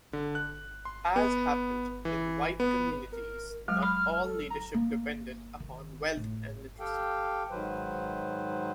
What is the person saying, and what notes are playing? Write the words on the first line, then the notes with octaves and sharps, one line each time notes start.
As happened in white communities, not all leadership depended upon wealth and literacy.
D3
F#6
C6
B3
E3
B3
A#4
F#3 G#3 F6
B5
A4
A#5
A#3
D#3
A2
G4 A4 F5 G5
G#2 D#3 F#3 B4 C5